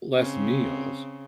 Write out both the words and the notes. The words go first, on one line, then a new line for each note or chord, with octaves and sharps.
less meals,
C#3 C4